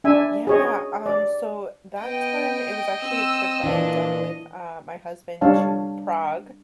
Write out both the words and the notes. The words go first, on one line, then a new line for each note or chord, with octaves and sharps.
Yeah, um, so that time it was actually a trip that I had done with, uh, my husband to Prague,
D4 E5 G#5
G#4 C#5 D#5
D5
B3 D#5 G5
C4 E6
A#2 E3 D4
G3 D4 C#5 F5 A5